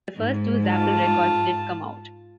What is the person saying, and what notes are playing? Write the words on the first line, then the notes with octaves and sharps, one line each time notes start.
The first two Zapple records did come out.
G#2
F4 A5